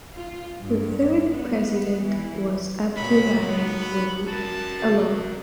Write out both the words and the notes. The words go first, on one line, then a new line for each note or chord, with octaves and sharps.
The third president was Abdoulaye Wade, a lawyer.
F4
G2
B3
E3
A#2 F#3 G#3 B3 C#5 B5
D#2 F#3 B3
B5
F#4 A#4 A5
C#3 F#3